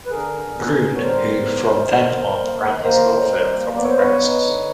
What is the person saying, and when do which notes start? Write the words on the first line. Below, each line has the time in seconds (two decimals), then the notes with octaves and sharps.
Bruun who from then on ran his law firm from the premises.
0.06 B4
0.11 D3 G#4 A#4
0.34 D3
0.57 B3
0.80 D3
0.95 C#5
1.02 G3 A#4 C5
1.25 B3
1.48 D3
1.71 D3
1.93 D#3
2.17 D#3
2.40 A#3
2.62 D#3
2.84 A#3 A#4 C5
3.08 D#3
3.30 G3
3.53 A#3
3.76 B3 D5
3.82 C#5
3.90 C5
3.97 B3 B4 C#5
4.21 D#4
4.44 D3